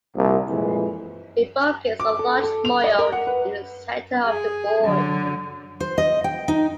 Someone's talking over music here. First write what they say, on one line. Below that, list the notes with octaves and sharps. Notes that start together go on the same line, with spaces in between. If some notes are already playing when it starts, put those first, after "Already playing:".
It focused on large moyo in the center of the board.
C2 A#2
F2 A#2 E3 G#3
D6
A4
A4
F7
D#5
A#4
F#5
B4
G#4
D3 F#3
C5
D#5
G5
D#4